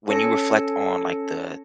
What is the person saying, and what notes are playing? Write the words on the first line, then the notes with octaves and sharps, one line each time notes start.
when you reflect on, like, the,
C#4 A4 C#5 A5 A#6 C#7